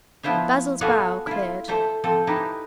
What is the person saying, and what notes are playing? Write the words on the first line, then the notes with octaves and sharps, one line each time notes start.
Basil's brow cleared.
F3 B3 E4 F4 C5 E5
F4 F#4 G#4 A4 B4 F5
E4 F4
A4 C5 E5 A5
F3 C4 A4
D#4 E4 G4 B4